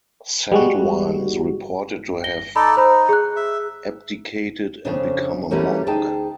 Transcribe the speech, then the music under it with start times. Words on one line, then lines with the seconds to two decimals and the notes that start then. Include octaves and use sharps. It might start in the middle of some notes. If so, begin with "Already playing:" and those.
Centwine is reported to have abdicated and become a monk.
0.52 G3 G#3 F#4
2.24 A#6 G7
2.56 D#4 A4 D5 B5
2.77 D#4 C5 B5
3.09 G#4 F#6
3.36 E5
4.85 F2 A#2 C#3 D4
5.51 E3 F#3 G3 A3 A#3 C#4
5.87 D2 D#4 G#4 G5 A5